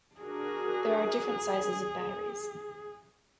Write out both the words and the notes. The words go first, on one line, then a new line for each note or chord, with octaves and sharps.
There are different sizes of batteries.
D4 F#4 G#4 A#4